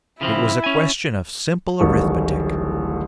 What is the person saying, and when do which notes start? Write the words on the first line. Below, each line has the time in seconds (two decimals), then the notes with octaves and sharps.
It was a question of simple arithmetic.
0.21 C#3 F3 C4 E4
0.64 C#4 G#5
1.80 D1 A1 D#3 G3 A3 C#6